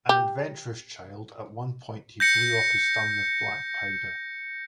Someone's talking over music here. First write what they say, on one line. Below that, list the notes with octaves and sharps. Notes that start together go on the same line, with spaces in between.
An adventurous child, at one point he blew off his thumb with black powder.
G4
G6 A#6 C#7